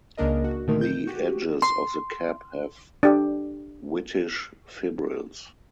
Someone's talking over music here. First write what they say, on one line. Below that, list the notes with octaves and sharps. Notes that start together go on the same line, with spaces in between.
The edges of the cap have whitish fibrils.
C#2 C#3 A#3 D4 A#4 D#5
F#4
A#2 D3 D#3 A3 D#4 A#4
G6
F#4 G4
C6
D4 G4